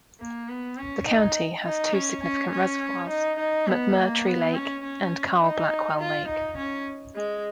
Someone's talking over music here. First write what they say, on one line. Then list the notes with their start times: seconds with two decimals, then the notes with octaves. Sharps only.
The county has two significant reservoirs: McMurtry Lake and Carl Blackwell Lake.
0.20 A#3
0.49 B3
0.77 C#4
1.07 D#4
1.65 D#4
1.94 C#4
2.23 C#4
2.52 C#4
3.09 D#4
3.39 D#4
3.68 B3
3.96 A#3
4.25 B3
4.54 C#4
4.84 C#4
5.41 D#4
6.00 F4
6.28 D#4
6.57 C#4
7.15 G#3